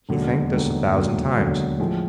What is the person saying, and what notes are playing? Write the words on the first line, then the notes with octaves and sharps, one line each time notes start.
He thanked us a thousand times.
E1 D#2 D3 F#3
E1 D#2 D3 F#3
E1 D#2 D3 F#3
E1 D#2 D3 F#3
A2 F3 G#3